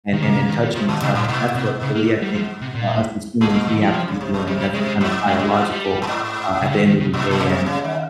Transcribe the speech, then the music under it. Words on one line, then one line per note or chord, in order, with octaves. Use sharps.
and and and touching the sun 'cause that's what really, I think, uh, us as humans, we have to be doing, that's kind of biological, uh, at the end of the day, and, uh,
D#3
C#3 A#3
C#3
D#3
G3
C3 F3
A#2 D#3
G#2 C#3
G2 A#2
G#2 C3
C3
C#3
A#3
G3
F3
C3
A#2
A#2 G#3
A#3
D#3
F3
C3
C#3
C3
A#2
C3 G3
G3
C3 G#3
G#3
G#2 G3
G#3
G#3
G3
F3
G3
A#2
G#2
C#3
D#3
D#3
C#3
G#2 C3
A#2
C#3
C3
C#3
D#3